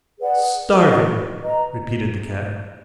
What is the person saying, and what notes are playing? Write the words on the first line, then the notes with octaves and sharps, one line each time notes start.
"Starving!" repeated the Cat.
G#4 B4 D5 F#5
F#4 B4 D#5
B4 D#5 A#5